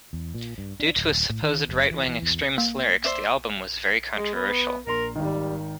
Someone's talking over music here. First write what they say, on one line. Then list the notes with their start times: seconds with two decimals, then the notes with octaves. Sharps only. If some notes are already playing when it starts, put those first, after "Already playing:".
Due to supposed right-wing extremist lyrics, the album was very controversial.
0.13 E2
0.35 A#2
0.58 G2
0.80 D4
0.96 D1
1.29 A2
1.42 D#3
1.69 F#1
1.91 E3
2.08 E3
2.22 E2
2.58 A#3
3.04 C5 D5 E5
4.14 G#3
4.34 B3
4.87 A#1 A#4 C6
5.16 G#1 D#3 G3